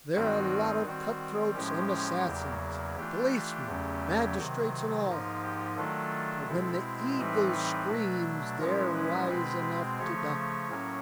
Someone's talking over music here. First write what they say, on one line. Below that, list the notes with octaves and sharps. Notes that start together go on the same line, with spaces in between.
"They're a lot of cutthroats and assassins--policemen, magistrates and all--but when the eagle screams they're wise enough to duck."
G2 D#3 G3 C4 D#4 F#4
D#3 G3 C4 F#4
A2 F3 G#3 C#4 G4
E2 C#3 F#3 A#3
E3 A3 D4 F4 G4
E2 C#3 F#3 A3 C#4
C3 D#3 F#3
G#2 F3 A#3 D#4
G4
D#3 F#3 A3 D4 F4 A4
B2 G#3 C4 E4
A2 E3 G3 C4 D#4 B4
B2 F#3 A3 D4
A#2 F3 G#3 C#4 E4 A#4
B4
B2 G#3 C4 B4
C#3 F3 A3 C#5
A2 F#3 A#3 C#4